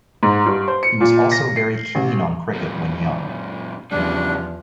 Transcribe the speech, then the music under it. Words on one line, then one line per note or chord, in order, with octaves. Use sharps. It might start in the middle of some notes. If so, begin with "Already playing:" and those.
He was also very keen on cricket when young.
G#2
G2
C5
C#7
A#2
A#6
C7
A1
F#2 A#2
E2 C#3 F3 G3 D4